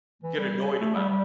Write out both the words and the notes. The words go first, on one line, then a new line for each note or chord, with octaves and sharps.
get annoyed about,
E3
G3
A3
G3
G3